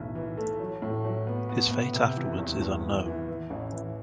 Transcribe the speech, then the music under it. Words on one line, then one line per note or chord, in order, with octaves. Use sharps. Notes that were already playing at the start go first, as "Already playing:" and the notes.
His fate afterwards is unknown.
Already playing: B1 A2 E3
E3
A3
F#3
A2
F#3
B3
B3
B3
C3
E3
E2
E2
E3
E3
E3
A1
E3